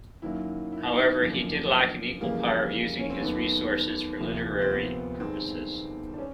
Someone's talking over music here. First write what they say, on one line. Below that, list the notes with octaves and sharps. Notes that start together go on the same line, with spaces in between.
However, he did lack an equal power of using his resources for literary purposes.
F#2 D#3 F#3 A#3 E4
E4
D#4
F#2 D3 F3 A#3
F2 C#3 E3 G3 A#3
C#4
C4
D#2 D#3 F#3 A3 B3
D2 C3 F3 A#3
C4
B3
G1 G2 D#3 G#3 C4
D4
C#4